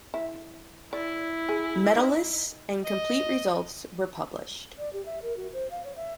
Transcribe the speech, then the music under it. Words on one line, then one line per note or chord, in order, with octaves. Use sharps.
Medalists and complete results were published.
E4
E4 D5
G#4
D#4 D#5
D#5
D5
G4
E5
A#4
F#4
C5
F5
C#5
E5